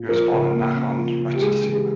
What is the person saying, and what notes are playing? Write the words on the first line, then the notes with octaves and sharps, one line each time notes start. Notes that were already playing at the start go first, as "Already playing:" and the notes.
He was born in Nakhon Ratchasima.
Already playing: A#2
F3 A#4
C#3
A#3
C#4
F3
C#3
G4
G#3 G#4
E3
G#4
G4